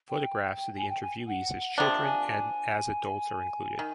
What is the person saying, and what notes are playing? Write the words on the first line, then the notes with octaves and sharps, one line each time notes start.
Photographs of the interviewees as children and as adults are included.
G5
G#5
G5
G#5
F#5
C3 F3 A#3 D4 G5
G#5
G#5
D#3